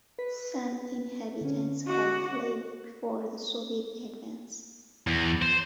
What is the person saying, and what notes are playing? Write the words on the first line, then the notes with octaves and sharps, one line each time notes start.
Some inhabitants had fled before the Soviet advance.
B4 B6
D3 C#4
F#4 D#5 D6
E2
C5